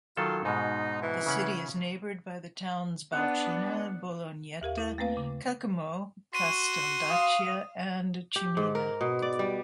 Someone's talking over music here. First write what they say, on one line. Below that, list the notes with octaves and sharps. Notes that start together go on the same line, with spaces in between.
The city is neighbored by the towns Baucina, Bolognetta, Caccamo, Casteldaccia and Ciminna.
D#3 F#3 F4 A4
G#2 B2 G#3 D#4
E3
C#3 C#4 F#5
B3 D4 F#5 D#6
D#2 G4 A#4 F5
E4
A3 A#3 C4 B4 F5
C#3
F#4 C6 D#7
F5 D#6
G4
G#2
A#4
B2
D5
G3